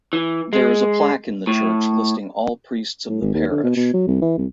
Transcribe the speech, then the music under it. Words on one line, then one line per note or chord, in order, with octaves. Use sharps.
There is a plaque in the church listing all priests of the parish.
E3
G#3
A2
A2
G#1
D#2
D3
B2
B2
F#3
C2
E3
C2